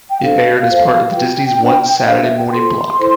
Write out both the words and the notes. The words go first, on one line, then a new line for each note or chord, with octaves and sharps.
It aired as part of the Disney's One Saturday Morning block.
G5
D4 A4 C5 F5
F4 A4 C5
F4 B4 G5
D4 F4 C5
D4 A4 C5 F5
E5
G5
F4 A4 C5 C6
E4 A4 C5